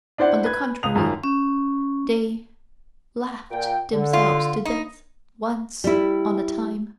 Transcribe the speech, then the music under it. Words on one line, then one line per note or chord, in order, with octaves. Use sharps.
On the contrary, they--LAUGHED themselves to death once on a time!
D4 E4 C5 D5 F#5
B4 G#6
C#2 D#6 F7
F#2 D#3 F3
C#4
A#2 G5
D3
F4
D#4
G3 E4